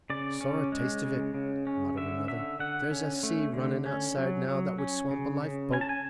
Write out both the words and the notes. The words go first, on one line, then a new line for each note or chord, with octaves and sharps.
"Sorra taste of it," muttered another; "there's a sea runnin' outside now that would swamp a life-boat."
C#3 D5
C#4
G#3
C#3
C#3
C#4
D3 E5
D3 E5
D3 F#5
C#4
A3
D3
C#4
F#3
F#3
C#4
C#3
C#3
C#4 G#5
A5
G#5